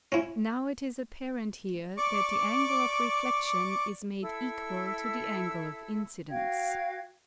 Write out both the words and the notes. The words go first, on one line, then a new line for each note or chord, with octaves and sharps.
Now it is apparent here that the angle of reflexion is made equal to the angle of incidence.
C#4 E4
D5 C#6 D6
E4 A4 E6
F#4 F5 G5 G#6